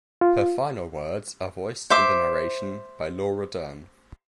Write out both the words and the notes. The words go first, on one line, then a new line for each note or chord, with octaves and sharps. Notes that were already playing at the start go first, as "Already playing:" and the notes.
Her final words are voiced in the narration by Laura Dern.
F4
C5 E5 D6